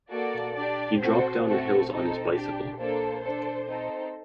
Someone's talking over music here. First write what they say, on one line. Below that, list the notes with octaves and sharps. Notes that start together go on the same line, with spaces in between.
He dropped down the hills on his bicycle.
A#3 F#4 A4 D5
D4 G4 D5
C4 F#4 A4 C5
A3 C4 F#4 A4
C4 D#4 A4
D4 G4
A#3 D4 A4 C5
D4 A4
C4 D#4 A4